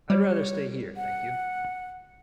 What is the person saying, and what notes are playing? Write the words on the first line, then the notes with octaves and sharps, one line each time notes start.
I'd rather stay here, thank you.
G3 C#5
F#5